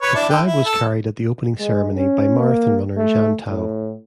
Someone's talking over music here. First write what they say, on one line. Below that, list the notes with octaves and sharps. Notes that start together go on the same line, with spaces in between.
The flag was carried at the opening ceremony by marathon runner Jan Tau.
B4 C#5
D4 E4
D3 G5
E4
A4 A5
G#3
C#4
A#3
A3
A2